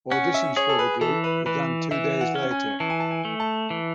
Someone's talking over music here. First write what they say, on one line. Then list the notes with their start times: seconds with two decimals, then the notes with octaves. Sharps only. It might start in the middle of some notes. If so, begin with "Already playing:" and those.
Auditions for the group began two days later.
0.11 C#4 F#5
0.34 E5
0.57 G#4 C#5
0.69 A4
0.79 B4
1.01 E3 A4
1.24 B4
1.46 E3 B4
1.91 E3 E5
2.21 F#5
2.35 C#4
2.51 G#5
2.80 E3 A5
2.90 G#5
3.00 A5
3.11 G#5
3.25 A3
3.40 A5
3.70 E3